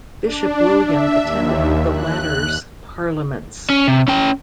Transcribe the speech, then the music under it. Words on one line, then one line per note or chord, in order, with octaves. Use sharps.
Bishop William attended the latter's parliaments.
D4
E5
D#2
F#6
C#4
C3
C#4 G5